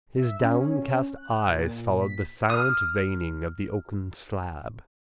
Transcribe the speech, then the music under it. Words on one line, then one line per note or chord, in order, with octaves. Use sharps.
His downcast eyes followed the silent veining of the oaken slab.
E5
C#4
F#6
A#2
B6
D#6 F6